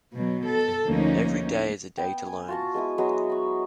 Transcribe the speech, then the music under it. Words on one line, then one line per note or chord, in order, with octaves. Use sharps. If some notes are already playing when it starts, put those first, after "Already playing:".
Every day is a day to learn.
B2 F#3
A4
D2 F3 A#3 C#4 D#4
B3 G5
G#5
F4 F#4 A5
G#3 B3 E4 D#6
F#3 G#3 B3
B5 C#6